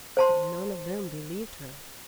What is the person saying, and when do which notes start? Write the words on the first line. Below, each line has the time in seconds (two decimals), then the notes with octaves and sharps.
But none of them believed her.
0.17 C5 A5 C6